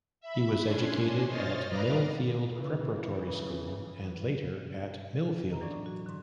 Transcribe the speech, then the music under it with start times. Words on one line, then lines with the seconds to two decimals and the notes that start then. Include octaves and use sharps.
He was educated at Millfield Preparatory School and later at Millfield.
0.21 E5 B5
0.64 C#4 D4 G#5 C6
1.26 C5 C#5 D#5 F6 A6
1.67 B4 D5 D#5 F5 A#5 F6
2.54 C#3 E3
5.49 D#5 A#5
5.61 E3 F#3 D4 D5 C#6 G#6
5.74 A2
5.86 F#4
6.06 G#2 D3